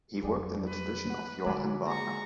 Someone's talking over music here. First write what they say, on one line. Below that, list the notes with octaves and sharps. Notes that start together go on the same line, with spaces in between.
He worked in the tradition of Joachim Wagner.
F2 F#3 G4 G#4 D5
G3 B4
F#5
G#2 D3 F#3 D6
A#3 G#4 A#5 C#6